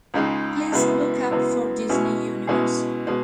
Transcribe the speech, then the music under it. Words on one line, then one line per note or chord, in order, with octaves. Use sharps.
Please look up for Disney Universe.
C#2 C#3 G#3 D#4
F#2 C#3 G#3 B3 E4
F#2 C#3 G#3 B3 E4
B2 G#3 C#4 E4 G#4
B2 G#3 C#4 E4 G#4
B2 G#3